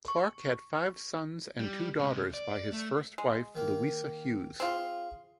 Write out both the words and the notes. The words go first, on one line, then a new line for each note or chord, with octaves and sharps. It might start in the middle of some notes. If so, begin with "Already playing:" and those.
Clarke had five sons and two daughters by his first wife Louisa Hughes.
C#6
G3
C3 G#3
D5
A3
G#3
D#3 A#3
C4 F4 G#4